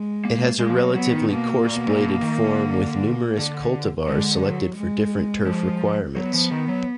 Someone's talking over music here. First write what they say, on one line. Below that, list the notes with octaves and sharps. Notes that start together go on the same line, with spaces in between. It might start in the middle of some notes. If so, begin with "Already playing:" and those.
It has a relatively coarse-bladed form with numerous cultivars selected for different turf requirements.
Already playing: G#3
A#3
G#3 A#3
F3
F#3
F#3 B3
D#3
B2 A#3
A#2
B2
A#2
B2
D#3
D3
D3
D3 G#3
F#3
G#3
F3
F#3 B3
F3
D#3
F#3